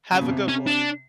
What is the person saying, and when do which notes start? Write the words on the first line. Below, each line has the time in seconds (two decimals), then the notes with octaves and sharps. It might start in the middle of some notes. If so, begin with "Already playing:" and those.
Have a good one.
0.12 C#3
0.21 B2
0.29 C3
0.48 C#4
0.67 D4